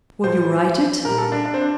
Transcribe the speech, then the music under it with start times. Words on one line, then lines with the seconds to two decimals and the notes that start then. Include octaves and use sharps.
"Will you write it?"
0.24 A2 F3 C5
1.05 A#2 G3 A#4
1.18 A4
1.32 D4
1.45 D4
1.54 C4
1.61 D4